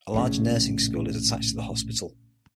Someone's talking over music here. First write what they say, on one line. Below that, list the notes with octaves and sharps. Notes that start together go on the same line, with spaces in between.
A large nursing school is attached to the hospital.
A#1 A2 C#3